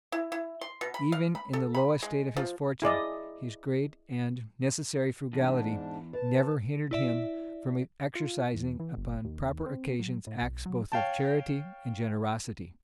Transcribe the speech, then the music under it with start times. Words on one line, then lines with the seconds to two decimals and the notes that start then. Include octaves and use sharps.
Even in the lowest state of his fortune, his great and necessary frugality never hindered him from exercising, upon proper occasions, acts both of charity and generosity.
0.12 E4
0.32 E4
0.61 C6
0.81 B2
0.94 B5
1.12 F5
1.35 B5
1.53 A4
1.74 B5
2.02 G#3
2.37 F3
2.82 E4 G#4 D5 D#5
5.33 E2 G#2 D4
6.13 B4 A5
6.91 E4 D5 E5
8.15 F4
8.54 E2
8.80 E3
8.97 G1
9.25 D#2
9.66 C4
10.00 F#3
10.27 A2
10.42 B1
10.66 F#3
10.92 C#5 F5 G5 A5